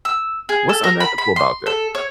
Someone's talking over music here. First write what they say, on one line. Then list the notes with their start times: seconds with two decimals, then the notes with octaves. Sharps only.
What's unethical about that?"
0.05 E6
0.49 G#4
0.69 A4
0.84 A#4
1.00 B5
1.18 B5
1.36 C6
1.66 A4
1.95 C#5